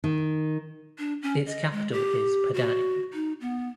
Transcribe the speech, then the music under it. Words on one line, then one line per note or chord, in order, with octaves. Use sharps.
Its capital is Padang.
D#3
D4
C#4
D#5
G#3
G4
F#4
D#4
B3